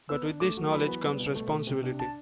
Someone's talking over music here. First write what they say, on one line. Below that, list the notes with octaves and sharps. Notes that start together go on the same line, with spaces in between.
But with this knowledge comes responsibility.
B3 E6
D4
A3 D6
F#3
E3 B5
B3
G3
B2
A3
B2
C3
D4
A5